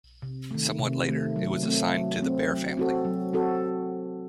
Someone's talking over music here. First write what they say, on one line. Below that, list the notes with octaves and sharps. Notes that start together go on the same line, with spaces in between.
Somewhat later, it was assigned to the bear family.
C3
D#3 A3
C3
D#3 A3
F#3
A3 C4
F#3
A3 C4
F#3
C4 F#4 A4
F#3
C4 F#4 A4